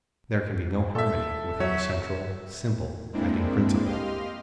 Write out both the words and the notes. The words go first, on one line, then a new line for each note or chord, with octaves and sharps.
There can be no harmony, without a central, simple, guiding principle.
A4 E5
F#3 C#5 E5
G#3 A#3 C4 D4 E4
G4 D#5 F5 C6 F6